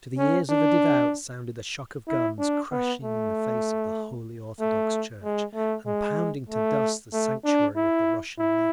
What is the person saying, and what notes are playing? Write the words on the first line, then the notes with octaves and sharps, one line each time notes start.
To the ears of the devout sounded the shock of guns crashing in the face of the Holy Orthodox Church, and pounding to dust the sanctuary of the Russian nation....
C#4
D4
E4
D4
B3
A3
A3
G#3
A3
G#3
A3
A3
D4
E4
E4